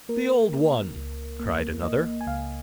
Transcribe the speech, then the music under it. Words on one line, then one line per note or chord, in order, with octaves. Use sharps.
"The old one," cried another.
A#3 A#4
A#3
C#2
A#3
A#3 D#5
G#5
C#2 F5